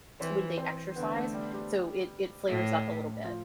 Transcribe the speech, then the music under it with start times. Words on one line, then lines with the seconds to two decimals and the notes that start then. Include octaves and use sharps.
when they exercise, so it it flares up a little bit.
0.20 E3 C4 C5
0.58 C4 C5
0.96 D3 B3 B4
1.15 A3 A4
1.34 G3 G4
1.53 G3 G4
2.48 A2
3.24 F3 F4